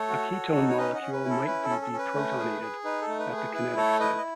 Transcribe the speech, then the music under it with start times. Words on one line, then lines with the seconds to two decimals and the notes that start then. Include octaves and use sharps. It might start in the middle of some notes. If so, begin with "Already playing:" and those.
A ketone molecule might be deprotonated at the "kinetic" site.
Already playing: A3 A4 C#5
0.09 F#4
0.32 F#4
0.55 D#4
0.68 C#5
0.78 C#4 B4 D#5
0.94 D#5 F#5
1.01 C#4
1.13 B4
1.24 E4
1.30 A4
1.46 C#4 B4
1.64 A4
1.70 C#4
1.81 A4
1.93 C#4
1.98 B4
2.16 A3
2.38 G#4
2.62 G#4
2.84 D#4 B4
3.02 A4
3.08 A3
3.19 B4
3.31 G#4
3.37 B4
3.53 E4 B4
3.77 A3 A4 C#5
4.00 E4 B4 D#5
4.17 D#5